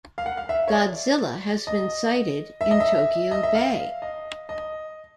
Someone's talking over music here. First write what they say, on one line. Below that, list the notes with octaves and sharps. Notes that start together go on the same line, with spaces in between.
Godzilla has been sighted in Tokyo Bay.
F5
F#5
F5
E5
C#5
D5
D#5
E5
D#5
E5
D#5
E5
F5
D#5
D#5